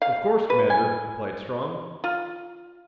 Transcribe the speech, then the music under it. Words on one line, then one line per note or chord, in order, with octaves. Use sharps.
"Of course, Commander," replied Strong.
F5
B4
G#5
F4